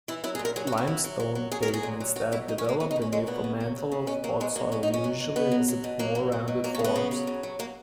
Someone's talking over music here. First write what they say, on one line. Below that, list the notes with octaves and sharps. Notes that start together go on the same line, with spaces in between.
Limestone pavements that develop beneath a mantle of topsoil usually exhibit more rounded forms.
E3 E4
F#3 E4
G#4
A#2
A#4
F#3 G#4
F#4
F#3
E4
F#3
F#3
F#3
F#3
F#3 G#4
A#4
F#3
G#4
A#2
F#3
F#3 F#4
B2 E4
B2 D#4
C#4
F#3 A#3
F#3 B3
D#4
A#2
C#4
F#3 G#3
A#2 B3
C#3
F#3
F#3
C#3
B2 C#4
F#3 A#3
B2 G#3
F#3 A#3
B2 C#4
D#4
B2
C#4
F#3
B2
B2 B3
F#3
F#3
B2
F#3 A#3
F#3
F#3
B2
F#3 A#3
C#4
C#3
B3
C#3
F#3
C#3
F#3
F#3 A#3